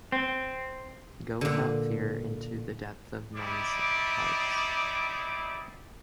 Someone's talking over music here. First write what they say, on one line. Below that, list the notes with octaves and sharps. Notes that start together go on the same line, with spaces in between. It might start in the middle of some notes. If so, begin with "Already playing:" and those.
Go without fear into the depth of men's hearts.
C4
A#2 D3
G3 C4 D#4 E4 D5 D6